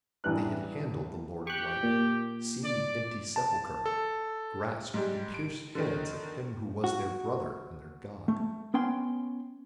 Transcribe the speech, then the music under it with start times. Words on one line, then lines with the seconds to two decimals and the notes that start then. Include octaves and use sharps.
They had handled the Lord of Life, seen the empty sepulchre, grasped the pierced hands of Him Who was their brother and their God.
0.24 A1 E3 G3 D4 B4 F#6
1.47 G4 C#6 F#6
1.83 A#2
2.64 D5
3.36 A5
3.86 A4
4.94 G#2 G3
5.34 D7
5.75 D3 D#3
6.84 F#4
8.28 A3
8.74 B3 C#4 G5 C6